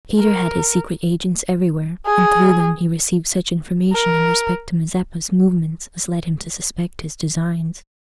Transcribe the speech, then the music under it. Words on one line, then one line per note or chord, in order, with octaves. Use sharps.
Peter had his secret agents every where, and through them he received such information in respect to Mazeppa's movements as led him to suspect his designs.
A#4
G#4
A#4